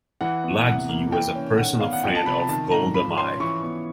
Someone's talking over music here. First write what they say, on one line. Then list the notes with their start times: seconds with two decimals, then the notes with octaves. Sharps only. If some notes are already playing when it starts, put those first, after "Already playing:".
Laghi was a personal friend of Golda Meir.
0.21 E3 F#5
0.44 B3
0.66 C3 F#5
0.89 A#3
1.12 E3 G5
1.35 C#4
1.58 D#3 F#5
1.80 B3 F5
1.93 F#5
2.04 F3 G5
2.15 A5
2.26 C3 B5
2.38 A5
2.49 D#3 A5
2.71 G#2 A#5
2.94 F3 B5
3.17 C#4 C6
3.40 E3 C#6
3.63 B3